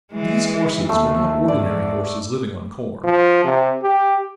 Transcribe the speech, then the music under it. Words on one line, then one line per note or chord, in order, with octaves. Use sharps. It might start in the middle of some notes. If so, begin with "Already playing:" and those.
These horses were not ordinary horses, living on corn.
E3 G#3
D#2 A3 E6
G#2 D5
F3
C3
G4